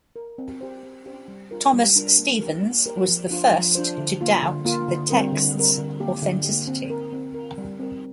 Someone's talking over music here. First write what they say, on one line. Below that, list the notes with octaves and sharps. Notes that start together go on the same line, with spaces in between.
Thomas Stephens was the first to doubt the text's authenticity.
A#4
C4
G4 C5
C4
G4 C5
G3
D4 F4 A#4
G3
D4 F4 A#4
A#3
G4 A#4
A#3
G4 A#4
F3
D4 F4 C5
F3
D4 F4 C5
D3
A#3 F4
D3
A#3 F4
D3
G3 C4 A#4
D3
G3 C4 A#4
D3
A#3 G4
D3
A#3 G4
C4
A#4
C4
A#4
G3
C4 A#4